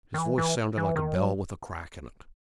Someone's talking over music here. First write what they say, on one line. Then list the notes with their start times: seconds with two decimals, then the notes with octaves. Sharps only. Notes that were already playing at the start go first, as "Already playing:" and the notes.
His voice sounded like a bell with a crack in it.
0.14 D#3
0.18 E3
0.38 E3
0.77 E3
0.96 D#3
1.15 F#3